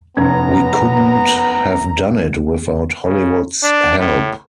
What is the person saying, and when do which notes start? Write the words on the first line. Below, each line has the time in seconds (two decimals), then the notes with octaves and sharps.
We couldn't have done it without Hollywood's help.
0.17 F1 F#2 B3 A#5 G#6
3.04 C#3
3.63 D4
3.99 A2